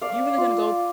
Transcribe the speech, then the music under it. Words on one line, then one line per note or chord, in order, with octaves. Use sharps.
you really gonna go
D5 F5
F4